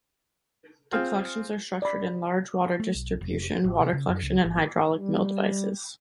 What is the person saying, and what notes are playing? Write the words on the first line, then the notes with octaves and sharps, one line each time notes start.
The collections are structured in large water distribution, water collection and hydraulic mill devices.
C4 F4 G#4 F6
D5 B5
A3
B1
F1
A1
C3
C#3
F#2
C#2
G#1
G3